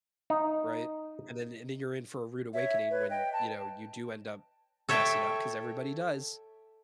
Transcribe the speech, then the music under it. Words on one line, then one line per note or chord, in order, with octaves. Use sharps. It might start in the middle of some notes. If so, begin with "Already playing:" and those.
right, and then and then you're in for a rude awakening when, you know, you do end up messing up 'cause everybody does.
D#4
C#5 E5
B4 C#5
D#5 G5
A5
A4 C#5 E5 G5